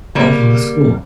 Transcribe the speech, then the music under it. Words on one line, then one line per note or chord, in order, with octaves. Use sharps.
Oh, that's cool.
C#3 G3 A#3